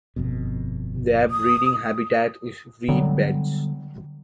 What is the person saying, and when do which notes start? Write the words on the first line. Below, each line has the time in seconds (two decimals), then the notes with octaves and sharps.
Their breeding habitat is reed beds.
0.16 G1 F2 B2
1.31 D#6
2.89 D3 F#3 G3 B3